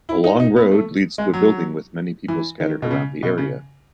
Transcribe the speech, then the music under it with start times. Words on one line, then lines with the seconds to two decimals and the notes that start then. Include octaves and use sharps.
A long road leads to a building with many people scattered around the area.
0.09 E4
0.24 D#4
0.40 D#4
0.56 B3
0.72 A3
1.18 G#3
1.33 F#3
2.28 E3
2.60 D#3
2.82 B2
2.91 C#3
3.23 B2
3.38 C#3